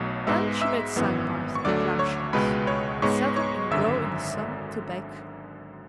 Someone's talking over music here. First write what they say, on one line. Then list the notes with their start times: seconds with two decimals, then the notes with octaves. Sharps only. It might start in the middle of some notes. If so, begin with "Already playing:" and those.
Then she made sand-pies in clam-shells and set them in a row in the sun to bake.
Already playing: B1 B2 F#3 A3
0.27 G#2 G#3 B3 E5 E6
0.61 E5 E6
0.96 G#1 F#2 E3 B3
1.55 C#6
1.64 D2 D3 F#3 A3 D5 D6
1.99 C#5 C#6
2.33 C#2 B2 G#3 B3 B4 B5
2.67 C#5 C#6
3.02 G#2 G#3 B3 C#5 C#6
3.36 C#5 C#6
3.71 G#1 F#2 D3 E5 E6